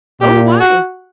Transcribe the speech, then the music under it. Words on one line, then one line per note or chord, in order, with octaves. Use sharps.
Oh, why?
A#2 G4
F#4